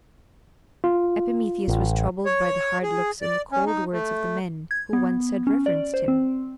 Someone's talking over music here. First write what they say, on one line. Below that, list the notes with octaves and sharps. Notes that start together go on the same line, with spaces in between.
Epimetheus was troubled by the hard looks and the cold words of the men who once had reverenced him.
F4
A1
C#5
G#4
D5
C#4
D#4
A3
G#6
B3
C#4
D5
C5
C4